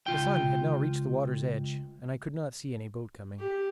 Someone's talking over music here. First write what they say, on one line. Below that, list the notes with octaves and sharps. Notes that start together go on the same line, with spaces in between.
The sun had now reached the water's edge, and I could not see any boat coming.
C#2 F4 G5
G4